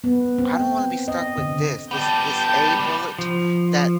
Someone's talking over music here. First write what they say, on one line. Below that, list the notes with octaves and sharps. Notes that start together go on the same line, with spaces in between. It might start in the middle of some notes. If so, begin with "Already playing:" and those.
I don't wanna be stuck with this. This this a bullet that
B3
C4
D#5
D3
B3 G4 A5 G6
F3